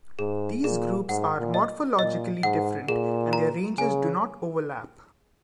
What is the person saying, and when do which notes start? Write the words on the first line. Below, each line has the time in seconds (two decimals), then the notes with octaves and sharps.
These groups are morphologically different and their ranges do not overlap.
0.19 G#2 G#4
0.64 A#2 G#4
1.09 G#2 F#5
1.38 A#2
1.54 D#5
1.99 A#2 D#5
2.43 G#2 F#5
2.88 A#2 G#4
3.33 A#5
3.78 C#3 G#5